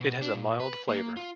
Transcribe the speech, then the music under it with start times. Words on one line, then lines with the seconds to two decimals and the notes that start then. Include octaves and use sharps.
It has a mild flavour.
0.01 B2
0.22 D4
0.34 A#2
0.60 B4
0.89 A#3
1.17 F4